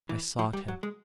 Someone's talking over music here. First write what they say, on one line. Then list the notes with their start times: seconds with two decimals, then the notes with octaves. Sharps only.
I sought him.
0.09 E3
0.39 F3
0.53 G3
0.68 F#3
0.83 G#3